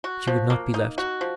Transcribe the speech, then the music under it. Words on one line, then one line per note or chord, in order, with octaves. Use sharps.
"She would not be left."
F#4
F3
A#3
D#4
F#4
F3